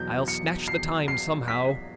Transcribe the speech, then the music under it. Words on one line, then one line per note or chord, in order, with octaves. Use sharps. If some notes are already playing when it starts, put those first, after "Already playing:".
I'll snatch the time somehow.
Already playing: E2 B2 F#3 G6
C#7
C7
C7
B6